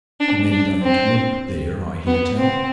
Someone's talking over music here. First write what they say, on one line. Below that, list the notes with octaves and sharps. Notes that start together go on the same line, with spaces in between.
The men don't milk there, I hear tell.
D4
D4
C4
B3
C4